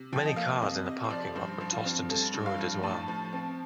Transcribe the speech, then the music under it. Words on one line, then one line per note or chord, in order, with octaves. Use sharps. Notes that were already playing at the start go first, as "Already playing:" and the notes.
Many cars in the parking lot were tossed and destroyed as well.
Already playing: C3
F3 G5
D#5
A#3 F5
C3 D#5
C3 D#5
C5
F3 D5
G2 C5
F3
F4
C4
G2 A4
G2
F5
F3
A2 A5
F3
C4